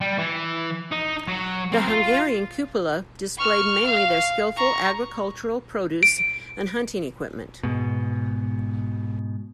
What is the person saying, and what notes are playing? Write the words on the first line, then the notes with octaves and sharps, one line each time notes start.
The Hungarian cupola displayed mainly their skillful agricultural produce and hunting equipment.
G3
E3
D#4
F#3
C4 A#4
F4
C#6 F6
F5
A#5 C#6
D7
G#2 B2